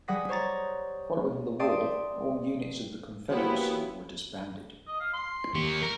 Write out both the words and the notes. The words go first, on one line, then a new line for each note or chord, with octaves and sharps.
Following the war all units of the Confederacy were disbanded.
G3 G#4 F#5 D#6 A#6 B6
C5 C#5 A#5 A6
D5 E5 G5 A5 C6 D#6
A#3 B3 C#4 E4 F#4 G4 C5
D#5
F5
C6
D#2 G4 C#6
A#4